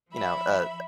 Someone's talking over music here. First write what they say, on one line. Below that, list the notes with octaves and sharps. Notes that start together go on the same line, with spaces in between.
you know, a
F3 E5 B5